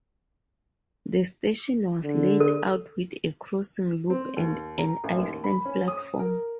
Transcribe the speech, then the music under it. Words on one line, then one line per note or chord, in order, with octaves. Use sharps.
The station was laid out with a crossing loop and an island platform.
D3
A4
C4
D#2
A#5
A1
D#2
B5
C#4
D#6
A#4